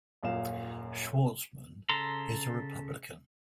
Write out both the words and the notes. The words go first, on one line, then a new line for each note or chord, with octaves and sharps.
Schwarzman is a Republican.
D#1 F#2 A#2 F5 E7
C#3 A4 A#5 C6